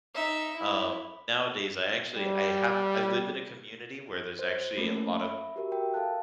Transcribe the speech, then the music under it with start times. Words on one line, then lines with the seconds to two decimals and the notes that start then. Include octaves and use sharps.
um, nowadays I actually I have I live in a community where there's actually a lot of,
0.15 D#4 E5
0.56 E4
2.16 G3
4.39 C5
4.77 A3 A#3 C#4 A4 A#4
5.13 E5 B5
5.56 F#4 G4 A#4 E5
5.72 A#4 G5
5.94 A4 A#4 F5 A5 F#6